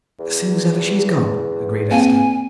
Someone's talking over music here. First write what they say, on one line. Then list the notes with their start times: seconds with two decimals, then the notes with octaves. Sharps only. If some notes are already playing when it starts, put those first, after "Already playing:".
"As soon as ever she's gone," agreed Esther.
0.20 E2
1.91 A#3 C4 F5 G#5